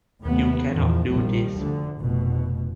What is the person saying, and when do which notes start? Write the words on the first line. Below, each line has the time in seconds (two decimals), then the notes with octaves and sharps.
You cannot do this.
0.21 D#2 C3 A3 B3
0.72 E2 G2 A#2 D#3 F3
1.08 F1 A#1 D#3 F3 G3
1.57 D2 D3
1.99 F1 B2